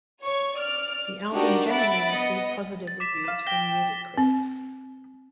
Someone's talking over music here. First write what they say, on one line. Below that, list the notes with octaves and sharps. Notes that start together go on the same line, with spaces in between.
The album generally received positive reviews from music critics.
C#5 C#6
D5 F6
D4 D#4 F#4 G4 A#4 D5
E5 F#5 B5 A6 D7
B3 D#5 C#7
A6
D6 B6 E7
B4 F5
G5 A#6 B6 G7
C4